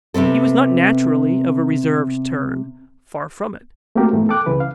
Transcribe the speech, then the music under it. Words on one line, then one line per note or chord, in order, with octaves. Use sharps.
He was not naturally of a reserved turn; far from it.
C3 B3 C4 A4
A3 A#3 C4 F#4 G4 A#4
F2 G#2 E3 A3 B3
A4 G5 D6 F#6
C#2 C#3 E3 B4
F5